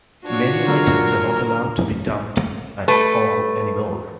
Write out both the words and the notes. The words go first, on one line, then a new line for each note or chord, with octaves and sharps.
Many items are not allowed to be dumped at all anymore.
D4 F4 F#4 C#5
D3 F#3 G#3 A#4
A3 B4